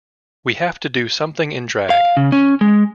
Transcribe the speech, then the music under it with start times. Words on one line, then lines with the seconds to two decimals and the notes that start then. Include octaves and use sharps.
We have to do something in drag.
1.90 F5
2.17 C#3
2.32 C#4
2.61 G#3